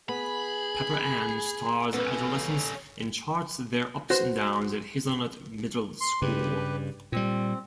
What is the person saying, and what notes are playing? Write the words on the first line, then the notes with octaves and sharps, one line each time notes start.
"Pepper Ann" stars adolescents and charts their ups and downs at Hazelnut Middle School.
B3 G#4 B5
B3 C#4 A4 B4
F#4 B4 C5
C6
G2 C#3 G4 B4
A#2 G3 C4